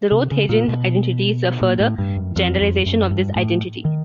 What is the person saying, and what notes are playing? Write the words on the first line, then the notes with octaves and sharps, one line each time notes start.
The Rothe-Hagen identity is a further generalization of this identity.
C3
C#3
A#2
B2
A#2
A2
G2
F#2
F2
F2
F#2
G2
A2
D#3